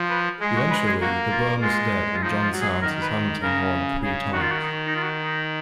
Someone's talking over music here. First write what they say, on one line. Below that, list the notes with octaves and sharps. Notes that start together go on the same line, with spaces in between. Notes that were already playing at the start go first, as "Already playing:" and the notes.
Eventually, the worm is dead and John sounds his hunting horn three times.
Already playing: F3
B4
G#3 G#4
F#4
B4
G#4
A#3 F#4
F4
G#3 F4
F4
F3 D#4
F4
F#3
G#4
D#3 A#4
B4
C#3 A#4
C#3 G#4
D#3 F#4
F4
F#4
D#4
D#4
F4
F#4
D#4